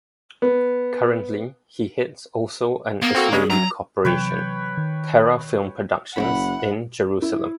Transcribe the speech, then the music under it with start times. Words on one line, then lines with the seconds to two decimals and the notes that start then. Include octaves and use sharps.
Currently, he heads also an Israeli corporation, Terra Film Productions in Jerusalem.
0.42 B3
3.02 A#3 B3
3.15 C4 F#4 A4
3.32 C#3 G#3 G#4
3.50 F#2 F#3 A#5
4.05 C3 E3 F#3 B4 C#5 G5
4.77 D#3
6.16 F#1 E4 F#4 F#5 B5
7.22 E4